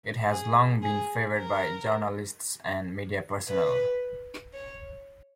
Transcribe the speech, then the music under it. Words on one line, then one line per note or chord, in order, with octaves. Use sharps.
It has long been favoured by journalists and media personnel.
G#4
G#4
A#4
B4
C#5